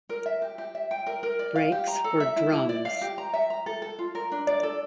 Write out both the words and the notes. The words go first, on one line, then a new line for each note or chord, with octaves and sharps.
Brakes were drums.
A#4
E5
G4
G4
E5
G5
A#4
A#4
D5
F5
G4
A#5
A4
E5
E4
E4
D5
F5
G4
A#5
E5
A#5
A4
A4
F4
A#4
D4
D5
A4